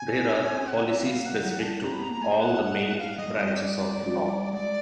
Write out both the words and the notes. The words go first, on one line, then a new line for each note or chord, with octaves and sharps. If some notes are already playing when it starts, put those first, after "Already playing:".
There are policies specific to all the main branches of law.
Already playing: G#5
A4
D#4
C#4
C4
F#5
E5
B3 F5
A#3
F#5
G3
F#3 F#5
G3 G#5
A5
C4 A#5
B5
B3 A#5
A#3 A#5
A3 G#5
G5
F#5
F5
G3 D#5
G#3
G3 D#5
D5
G#3
G3
G#3 D5